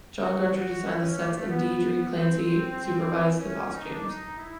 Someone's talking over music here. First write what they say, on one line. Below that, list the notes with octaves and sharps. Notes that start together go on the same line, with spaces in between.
John Gunter designed the sets and Deirdre Clancy supervised the costumes.
F#4
F#4
E4
C#4
A#3
A3
B3
C4
C#4
C#4
D#4
D4
D#4
E4